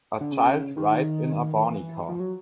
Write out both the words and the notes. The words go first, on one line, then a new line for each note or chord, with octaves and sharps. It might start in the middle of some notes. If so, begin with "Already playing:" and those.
A child rides in a Barney car.
D3
C#3
D#3
D#3
E3
F3
F#3